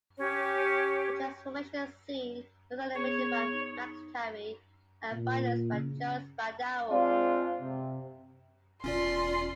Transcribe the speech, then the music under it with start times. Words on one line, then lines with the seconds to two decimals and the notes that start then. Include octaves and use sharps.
The transformation scene was animated by Max Tyrie and finalized by Joe Spadaro.
0.18 C#4 G4 C#5
2.95 B3 G#4 C#5
3.53 D#4
5.11 A#2
5.72 C#3
6.89 G#3 C4 D4 F4
7.60 C3
8.84 E1 C#4 F4 D5 C6